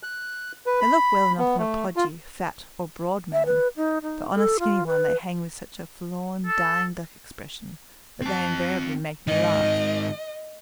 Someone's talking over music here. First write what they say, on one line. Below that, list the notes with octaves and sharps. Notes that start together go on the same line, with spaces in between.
They look well enough on a podgy, fat, or broad man, but on a skinny one they hang with such a forlorn, dying-duck expression, that they invariably make me laugh.
F#6
B4
B5
B3
A3
F4
E5
B4
D#4
D#4
A4
F4
B4
A4
C4 A5
G#2 D#3 D#5